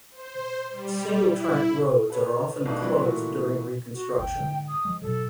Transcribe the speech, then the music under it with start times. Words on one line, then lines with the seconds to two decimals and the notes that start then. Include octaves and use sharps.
Single track roads are often closed during reconstruction.
0.11 C5
0.69 G3
1.21 E4
2.10 A4 B4 C#5
2.65 G#1 B2 A3 D4 D#4
2.82 E3 F#3 A3 C4 D4 E4
3.01 A#2 E3 A3 A#3 F#4
3.92 F#4
4.18 G#1 D#2 G5
4.40 G#2 D3 G#3
4.68 D#6
4.85 F3 G#3
5.02 G#2 B2 F#3 A4